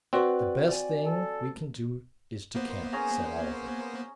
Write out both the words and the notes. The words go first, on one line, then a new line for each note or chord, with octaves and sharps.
"The best thing we can do is to camp," said Oliver.
C4 F#4 B4 D5
D5 G#5
A4
A#3 B3 C5
C#4 G#4 A#5